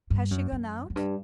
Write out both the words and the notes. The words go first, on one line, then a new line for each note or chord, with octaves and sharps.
Has she gone out?
G2
F#2
F#2
F#2
G2